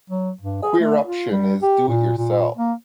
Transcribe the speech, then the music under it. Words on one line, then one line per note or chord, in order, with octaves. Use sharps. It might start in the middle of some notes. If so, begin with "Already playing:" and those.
Queeruption is Do-it-Yourself!
F#3
G2
G#4
A3
F4
G3
G4
A#2
A#2
A#3